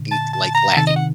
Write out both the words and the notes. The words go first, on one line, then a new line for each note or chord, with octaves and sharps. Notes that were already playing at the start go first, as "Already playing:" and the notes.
n like, lacking.
Already playing: A#2 D3
A5
A5
A#5
C3 D#3 A5
D#5
F#5